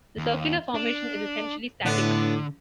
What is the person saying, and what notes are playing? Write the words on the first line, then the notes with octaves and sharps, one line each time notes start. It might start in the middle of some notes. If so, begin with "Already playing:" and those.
The circular formation is essentially static.
D#2
D4
A2 D3 B3 D4